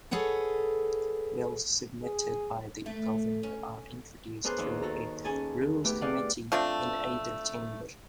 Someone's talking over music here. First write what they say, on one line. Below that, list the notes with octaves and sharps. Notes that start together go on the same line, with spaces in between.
Bills submitted by the governor are introduced through a Rules Committee in either chamber.
G#4 A4 B4 C#5 F#5
G#4
A3
C#4
B3 D4 G#4 A#4 C5 F#6
D#2
F#4 A4 A#5
C#4 G#4 G#5 A5
A3 B3 G4
G4 G#4 D5 F5 F#5
F3 A3 C4 D4